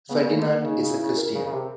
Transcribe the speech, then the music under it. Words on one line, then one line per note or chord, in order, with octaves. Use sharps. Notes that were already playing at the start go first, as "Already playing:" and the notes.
Ferdinand is a Christian.
C#3 B3
C#3 A#3
D3 A3
A#3
C#3 D#4
C#3
E4
C#3
A#4
C#3
C#3
C3